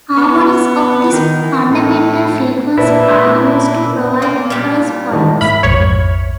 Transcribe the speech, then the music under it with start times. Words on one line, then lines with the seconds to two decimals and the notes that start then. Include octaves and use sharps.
Harmonics of this fundamental frequency are used to provide reference points.
0.17 B3
1.12 D#3
1.43 E3
1.70 A2
2.78 A#2 D4 E4 B4 A5
4.22 A#3
4.50 A#2 G3
5.11 A2 D#3
5.41 G#2 E5 B5 F6
5.63 A#1 F2 G#2 C#5